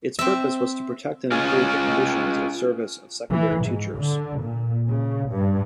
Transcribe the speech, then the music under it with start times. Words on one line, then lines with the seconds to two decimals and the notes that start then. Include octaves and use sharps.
Its purpose was to protect and improve the conditions of service of secondary teachers.
0.19 C4 E5
1.32 C#4 F4 G#4
3.31 E3
3.64 G#2
3.98 D3
4.43 A#2
4.89 C#3
5.30 G2